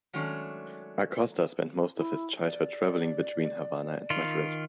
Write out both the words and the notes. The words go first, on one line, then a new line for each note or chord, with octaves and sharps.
Acosta spent most of his childhood travelling between Havana and Madrid.
D#3 F#3 G#3 A3 C#4 D4
E4
D5
D#3 F4